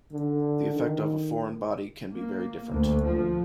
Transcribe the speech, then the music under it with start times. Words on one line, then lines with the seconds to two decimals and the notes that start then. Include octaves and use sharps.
The effect of a foreign body can be very different.
0.12 D3
0.75 D#3
2.12 A#3
2.72 D2
3.05 F3